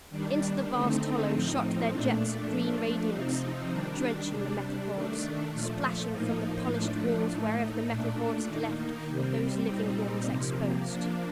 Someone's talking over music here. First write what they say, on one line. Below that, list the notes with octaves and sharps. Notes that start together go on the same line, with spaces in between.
Into the vast hollow shot their jets of green radiance, drenching the Metal Hordes, splashing from the polished walls wherever the Metal Hordes had left those living walls exposed.
D#3 G3 D4
D3 A3 C4 D#4
A2 F3 C4 D#4
A#2 A3 D4
F3 A3 D4
C3 F3 C4 D#4
D#3 G3 D4
C3 G3 D4
D#3 A3 D4
A#2 F3 A3
A2 F3 A#3 D#4
A2 F3 A3 D4
A2 A3 D#4
A#2 A3 D4
D#3 A#3 D#4
C3 G3 C4
A#2 G3 C4 D#4
C3 F3 A#3
F3 A#3 D4